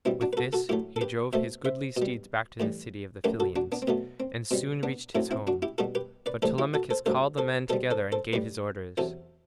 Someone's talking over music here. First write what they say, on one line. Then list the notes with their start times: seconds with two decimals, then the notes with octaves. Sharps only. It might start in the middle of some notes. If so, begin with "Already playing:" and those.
With this he drove his goodly steeds back to the city of the Pylians and soon reached his home, but Telemachus called the men together and gave his orders.
0.05 B2 G3 C4 E4
0.21 D4 F#4
0.33 B4
0.37 F#4 A4
0.53 F#4 A4
0.69 A2 F#3 A3 E4 G4
0.96 A4
1.01 G4 B4
1.33 B2 A3 C5 E5
1.65 C5 E5
1.97 B2
2.02 G3
2.60 A2 E3 G3
3.24 F#2 F#3 A3 G4 B4
3.40 F#4 A4
3.56 D4 F#4
3.72 B3 D4
3.82 C4
3.87 B2 F#3 A3 B3
4.20 C4
4.51 B2 G3 C4
4.83 B3 D4
5.15 A2 F#3 A3 C4 E4
5.31 C4 E4
5.47 D4 F#4
5.62 E4 G4
5.78 B2 G3 F#4 A4
5.95 G4 B4
6.26 B4 D5
6.42 A2 E3 G3 A4 C5
6.58 E4 G4
6.74 F#4 A4
6.90 A4 C5
7.06 G2 F#3 A3 A4 C5
7.38 A4 C5
7.70 B2 G3 A4 C5
7.91 A4 C5
8.12 A4 C5
8.33 A2 G3 B4 D5
8.97 E2 C3 F#3 A4 C5